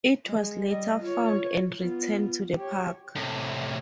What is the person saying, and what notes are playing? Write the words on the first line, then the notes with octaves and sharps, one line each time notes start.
It was later found and returned to the park.
G#3
G3 D#5
F4 C#5
B3 F4
G4 C#5
A2 C3